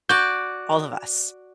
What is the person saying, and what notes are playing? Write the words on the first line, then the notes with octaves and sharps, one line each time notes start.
all of us?
F#4 D5 G6